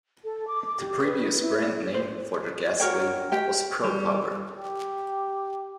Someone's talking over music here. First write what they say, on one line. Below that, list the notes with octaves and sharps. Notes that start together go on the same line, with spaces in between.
The previous brand name for their gasoline was Propower.
A4
D6
D6
G4
B4
E4
C5
F#4 A#4 C#5 G5
G4 G5
G3
G4